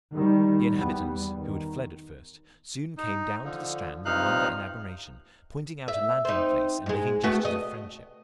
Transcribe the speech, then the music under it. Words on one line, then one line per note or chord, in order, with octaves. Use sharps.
The inhabitants, who had fled at first, soon came down to the strand in wonder and admiration, pointing out a landing-place, and making gestures of friendship.
D#3 G3
E2 G3 B3
D#3
D#4
D3 F3
G2 C3 F3 D#4 F5 F#6
E5
C4 D#4
G#2 G#3
A3 B3 F#4
D#5